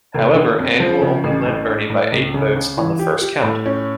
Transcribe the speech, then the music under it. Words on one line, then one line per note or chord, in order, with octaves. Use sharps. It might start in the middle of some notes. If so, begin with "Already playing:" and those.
However, Anwyl only led Birney by eight votes on the first count.
F1
D3
F2
F3
C#3
A1
A2
D4
A2
C#2
C#3
C#3
E3
G4
G4
A2
C#4